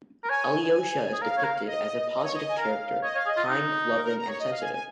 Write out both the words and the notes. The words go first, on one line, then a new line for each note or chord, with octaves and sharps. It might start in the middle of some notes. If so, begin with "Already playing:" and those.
Alyosha is depicted as a positive character, kind, loving and sensitive.
A#4
C#5 G#5
G#4
A#4 F5
C#5
A#4
D#5
D#5
C#5
D#5
G#5
A#4 F5
C#5 D#5
C#5 F5
G#4 D#5
F4
D#4
A#4
A#4
A#5
C#5
D#5
F5
G#5
G#5